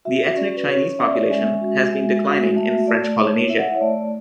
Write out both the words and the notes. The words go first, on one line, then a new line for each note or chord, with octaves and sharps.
The ethnic Chinese population has been declining in French Polynesia.
F#4 E5
C#4 D5
B4
C#4 C#5
C#4 E5
D5
C#5
D5
G#3 E5
F#4
G#3
F#4
A3 E5
A3 D5
E4 C#5
E4 E5
F#5
E5
C#5
A3 D5